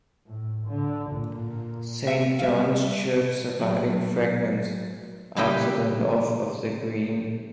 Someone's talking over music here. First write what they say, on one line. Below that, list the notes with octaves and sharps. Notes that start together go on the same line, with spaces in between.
Saint John's Church surviving fragments are to the north of the Green.
A2
D3
A#2
E5
G3 E5 F5
F#3
C#3 G3 E4 B4 D#5 G5